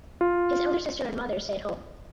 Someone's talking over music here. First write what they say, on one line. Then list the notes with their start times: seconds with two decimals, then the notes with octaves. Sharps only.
His elder sister and mother stay at home.
0.21 F4